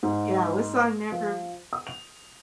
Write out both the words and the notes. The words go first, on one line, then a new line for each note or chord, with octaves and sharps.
Yeah, what song never
G#2
F3
D#6
F7